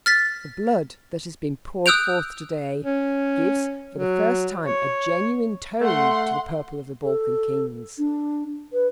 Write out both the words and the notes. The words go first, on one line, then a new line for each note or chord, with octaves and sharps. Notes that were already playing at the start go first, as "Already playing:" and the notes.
The blood that has been poured forth to-day gives for the first time a genuine tone to the purple of the Balkan Kings.
F6 A6 B6
D#6 E6 F#6 G6 D7 F7
C#4
F#3
C#5
A3 F#5 C6
A4
D4
B4